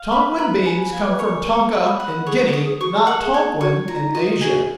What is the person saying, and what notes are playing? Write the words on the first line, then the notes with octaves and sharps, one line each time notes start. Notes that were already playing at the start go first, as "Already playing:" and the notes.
Tonquin beans come from Tonka, in Guinea, not Tonquin, in Asia.
Already playing: F5
B4 B5
B4 A#5
G#5 B5
F5 G#5
B4
A#4 C#5
C#5
B5
F#5
G#4 C#5
A#4
D#6
G#4
F#4 C#6
G#4
A#4 F#5
G#4
G#4 C#5
F#4 C#5
F4 A#5
D#4
F4 D#5
F4
F#4 G#4